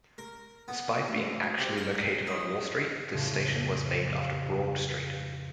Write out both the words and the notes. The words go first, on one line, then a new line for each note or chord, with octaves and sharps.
Despite being actually located on Wall Street, this station was named after Broad Street.
A#4
B3
D2
C3
A#4
D#4
F2 A2 C#3 G#6
G4 F5